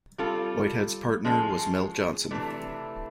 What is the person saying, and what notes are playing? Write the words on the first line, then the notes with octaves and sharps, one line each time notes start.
Whitehead's partner was Mel Johnson.
G3 C4 F4 A4
F3 G#3 C#4
C3 E3 A3 D4